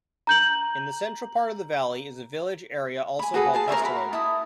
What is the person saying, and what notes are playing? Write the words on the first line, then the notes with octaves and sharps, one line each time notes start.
In the central part of the valley is a village area also called Hessdalen.
A#5 G6 F#7
G#5 B5
F#4 G#4 A4 B4
F4 G#4 A5
A#4 C5 C#5 E5
F#4 A#4 B5
E4 A5 D#6